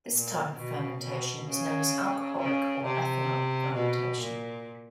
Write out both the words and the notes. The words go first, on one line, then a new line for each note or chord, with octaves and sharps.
This type of fermentation is known as alcoholic or ethanol fermentation.
A#2
B2
B2
C#3
C#3
C3
B2
A#2